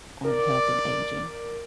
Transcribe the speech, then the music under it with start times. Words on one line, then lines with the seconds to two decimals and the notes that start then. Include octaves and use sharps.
on health and aging
0.24 A#4 D5